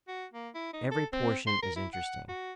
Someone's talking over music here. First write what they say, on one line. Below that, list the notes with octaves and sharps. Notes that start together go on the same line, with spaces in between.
Every portion is interesting.
F#4
A#3
E4
D#4
A4
C4
C6
A#4
E4
F#5
F#4